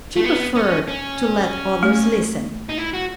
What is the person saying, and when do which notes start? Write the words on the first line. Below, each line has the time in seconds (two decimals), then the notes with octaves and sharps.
She preferred to let others listen.
0.16 A3
0.24 B3
0.56 C#4
0.88 C#4
1.83 A3
2.69 D#4
2.78 E4
2.93 F#4